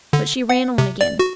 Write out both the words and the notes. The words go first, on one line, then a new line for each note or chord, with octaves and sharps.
But she ran on again.
D3
F#5
C3
D5
F#4